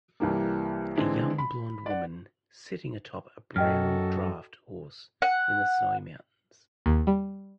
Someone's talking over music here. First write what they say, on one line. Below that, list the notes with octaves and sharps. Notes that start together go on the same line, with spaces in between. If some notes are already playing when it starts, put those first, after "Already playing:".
A young blond woman sitting atop a brown draft horse in the snowy mountains.
C2 E3 G3 A#3
D3 E3 G#3 C4
B5
D5 F#5
F#2 F#4 A4 D#5 G5 F6
F#5
D#2
G3